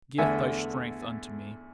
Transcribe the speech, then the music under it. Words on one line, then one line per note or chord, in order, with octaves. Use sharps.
Gift thy strength unto me.
E2 D3 A3 E5 G#5